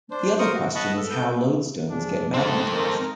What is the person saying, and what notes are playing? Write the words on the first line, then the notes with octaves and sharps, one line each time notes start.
The other question is how lodestones get magnetized.
D4 C5
A#4 C5 C#6 D#6
F#4
D#5 F#5 A5 B5 C#6
A4
B3 A4 G6
F2 D4 G#4
G#2 C3 C4 A4
G#2 D#4 A#4